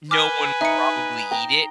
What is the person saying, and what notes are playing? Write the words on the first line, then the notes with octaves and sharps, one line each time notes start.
no one would probably eat it.
B4 G#5 D6 F6 B6
D#4 E5 C#7
G5 A#5